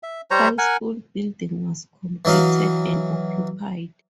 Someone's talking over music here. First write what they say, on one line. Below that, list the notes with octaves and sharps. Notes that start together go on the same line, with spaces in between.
High School building was completed and occupied.
E5
G3 C5 C#5 A#5
A#4 F#5 G#5
E3 F#3 D#5 F5